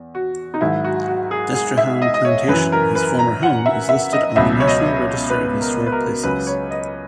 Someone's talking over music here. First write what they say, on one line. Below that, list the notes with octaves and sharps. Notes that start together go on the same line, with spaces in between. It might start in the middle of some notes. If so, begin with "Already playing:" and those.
Destrehan Plantation, his former home, is listed on the National Register of Historic Places.
Already playing: E2
F#4
D#4
G#2 D#3 F#3 E4
F#4
F#4
G#4
G#4
E5
D#5
D#5
C#5
F#2 E3 B4
A#4
B4
A#5
F#5
E5
E5
D#5
C#2 B2 F#3 E5
C#5
D#5
C#5
B4
A#4
B4
A#4
C#2 C#3 F#3 B4
C#5
D#5